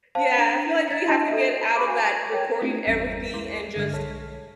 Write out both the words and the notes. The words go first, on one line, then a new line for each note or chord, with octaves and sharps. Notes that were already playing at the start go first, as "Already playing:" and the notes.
Yeah, I feel like we have to get out of that recording everything and just
C5 F5 A5
D4 A#5 D7 E7
G#6 A6 B6 C#7
D4 E4 F#4 D#5 A5 C6
A4 D#5 E5
G#4 B5 C#6 D6
F#4 F5 G#5
C#6 G#6
A#4 C#5 G5
A3 C4 D4 E4 F4 G4
G1 E2 G3 C#4 A#5
A#1 G#3 E4 A#5 C6 D6
G2 D3 G#3 A#4 E5 F6
B1 A4 C#5 A5 F6 B6